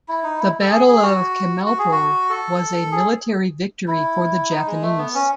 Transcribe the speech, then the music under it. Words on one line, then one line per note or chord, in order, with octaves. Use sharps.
The Battle of Chemulpo was a military victory for the Japanese.
E4
D#4
E4
A4
G#4
G#4
F#4
F#4
G#4
F#4
A4
G#4
E4
D#4
G#3
A3
B3
C#4